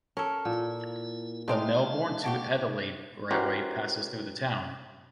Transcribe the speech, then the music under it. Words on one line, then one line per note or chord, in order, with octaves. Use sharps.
The Melbourne to Adelaide railway passes through the town.
C#4 A4 A#4
A#2 E4
C3 G#3 C4 D#4 F4 F5 A5
D4 F#4 G4
E3 C#4 F#4 G4 A#4 C5